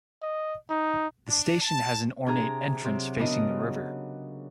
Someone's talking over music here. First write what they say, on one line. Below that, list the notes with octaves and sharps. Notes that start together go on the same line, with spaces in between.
The station has an ornate entrance facing the river.
D#5
D#4
D4
A5
C3 D4 G#4 A#5
C3 F#3 C4
C#3 F#3 B3 D4 A#4 D#5